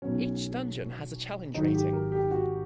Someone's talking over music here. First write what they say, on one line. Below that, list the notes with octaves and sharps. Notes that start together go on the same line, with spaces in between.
Each dungeon has a "challenge rating".
B1 B2 F#3 C#4
G#1 G#2 D#3 F#3 D#4
G4
A#4
G4
F#4